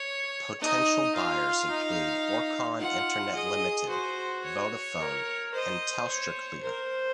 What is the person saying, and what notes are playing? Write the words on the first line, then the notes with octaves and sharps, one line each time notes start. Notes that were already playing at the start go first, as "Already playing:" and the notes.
Potential buyers included Orcon Internet Limited, Vodafone and TelstraClear.
Already playing: C#5
D#4 D#5
F4 F5
D#4
F4 F#5
G#4 D#5
F#4 C5
C#5
A#4
C5 D#5
C#5
A#4 C5